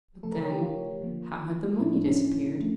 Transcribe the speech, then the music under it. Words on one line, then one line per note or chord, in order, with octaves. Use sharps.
But then--how had the money disappeared?
C#3 F3 A3 A4
A#4
C#5
G4
F4
D3 F3 A#3
A2 F3 A#3 E4
D4
C#4
D3 F3 A3